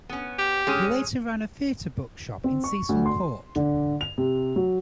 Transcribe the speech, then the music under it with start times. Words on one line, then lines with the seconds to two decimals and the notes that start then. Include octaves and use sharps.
He later ran a theatre bookshop in Cecil Court.
0.09 B3 C#4
0.38 G4
0.67 G#3 C#4
2.44 C4
2.64 C#6
2.89 D2
3.06 C6
3.56 D3
4.01 F7
4.18 C3
4.56 F#3